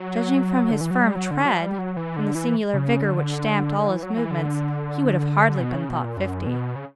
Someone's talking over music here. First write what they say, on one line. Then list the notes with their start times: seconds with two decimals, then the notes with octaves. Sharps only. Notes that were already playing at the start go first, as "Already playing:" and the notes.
Judging from his firm tread, from the singular vigor which stamped all his movements, he would have hardly been thought fifty.
Already playing: F#3
0.71 D3
0.81 E3
0.91 F#3
1.02 G3
1.15 F#3
1.31 D3
1.45 F#3
1.59 G3
1.78 F#3
1.97 E3
2.17 D3
2.35 E3
2.74 C#3
3.02 D3
3.89 E3
4.03 F#3
4.18 E3
4.31 D3
5.56 C#3
5.61 B2
5.74 C#3
5.89 B2
6.04 A#2
6.17 F#2
6.47 B2
6.76 C#3